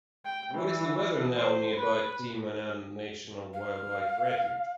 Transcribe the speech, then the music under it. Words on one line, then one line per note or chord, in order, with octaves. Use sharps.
What is the weather now nearby Petit Manan National Wildlife Refuge?
G5
E3
C5
B4
F5